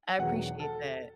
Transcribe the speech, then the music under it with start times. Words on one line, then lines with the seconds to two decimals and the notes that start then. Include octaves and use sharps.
I appreciate that.
0.19 E1 E2 D#3 F#3 B3 F#5
0.60 A4